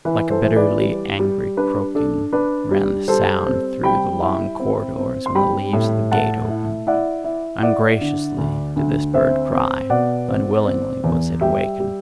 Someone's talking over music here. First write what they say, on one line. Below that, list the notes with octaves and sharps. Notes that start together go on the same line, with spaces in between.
Like a bitterly angry croaking ran the sound through the long corridors when the leaves of the gate opened: ungraciously did this bird cry, unwillingly was it awakened.
E3 B4
A4 C5
E3
B4 D5
G3
G3
D4 B4
D4 A4
D4 B4
G3
G3 A4 C5
C4
G3 G5 B5
E4
C4
C4
C6
G3 G5 B5
A2
A3 F#5 A5
E4
E4 D5 F#5
E4
E4 D5 F#5
D3
D2
D2
C4 C5 E5
C4
B2 D5 F#5
C4
C4
E2
G3 E5 G5
G3